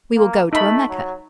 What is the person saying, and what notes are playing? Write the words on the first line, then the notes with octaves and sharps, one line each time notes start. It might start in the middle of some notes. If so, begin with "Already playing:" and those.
We will go to a Mecca.
A#3
A3 D#4 B5
F#3